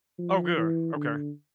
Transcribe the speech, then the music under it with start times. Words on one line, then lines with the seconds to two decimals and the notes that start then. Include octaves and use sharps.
Oh, good, okay.
0.19 F3
0.57 E3
0.96 D3